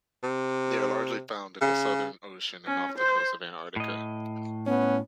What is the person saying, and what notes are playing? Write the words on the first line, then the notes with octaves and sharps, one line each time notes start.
They are largely found in the Southern Ocean and off the coast of Antarctica.
C3
C#3
C#4
C5
A2 D#5
B3 C#4